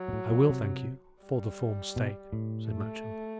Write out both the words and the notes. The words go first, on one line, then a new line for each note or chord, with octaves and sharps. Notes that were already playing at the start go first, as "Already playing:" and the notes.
"I will thank you, for the form's sake," said Matcham.
Already playing: F#3
B2
A2
B2
C3
G3
B2
A2
A3